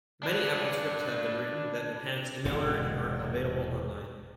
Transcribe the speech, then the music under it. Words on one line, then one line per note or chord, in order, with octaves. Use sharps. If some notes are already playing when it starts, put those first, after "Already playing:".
Many AppleScripts have been written that enhance Emailer and are available online.
D4 B4
E1 G#2 C3